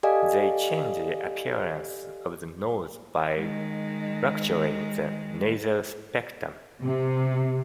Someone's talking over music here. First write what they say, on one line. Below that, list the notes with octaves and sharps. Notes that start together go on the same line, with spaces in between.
They changed the appearance of the nose by fracturing the nasal septum.
G4 A4 D5 D#5 F5 G#5
D#3 G#3
C3